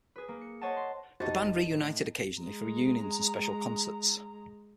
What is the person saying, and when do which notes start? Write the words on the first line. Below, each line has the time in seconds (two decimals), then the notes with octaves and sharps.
The band reunited occasionally for reunions and special concerts.
0.16 G#4 B4
0.29 A#3
0.41 C#7
0.61 C5 C#5 D#5 F#5 A5
0.77 C6
1.20 F2 D#4 F#4 G4 C5 A5
1.41 F1
1.71 A2
2.40 G#3 A#5